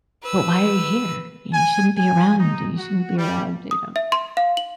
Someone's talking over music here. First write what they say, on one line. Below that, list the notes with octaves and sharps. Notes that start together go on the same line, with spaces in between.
but why are you here? You know, you shouldn't be around, you shouldn't be around," you know?
B4 E6
G#5
G#5
D#4
F#4
G3
D#6
E5
C6
F5
F#7